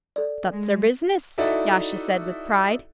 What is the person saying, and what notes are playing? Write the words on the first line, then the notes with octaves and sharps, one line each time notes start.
"That's our business," Yasha said with pride.
A4 D5
G#3
D#4 E4 F#4 A4 D5 E5